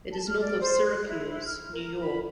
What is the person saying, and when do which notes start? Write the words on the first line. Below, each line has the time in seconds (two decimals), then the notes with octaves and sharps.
It is north of Syracuse, New York.
0.13 A5
0.26 F6
0.40 D5
0.60 C5
0.85 F#6
1.07 E4
1.31 E4
1.45 F6
1.73 A#4
2.01 B5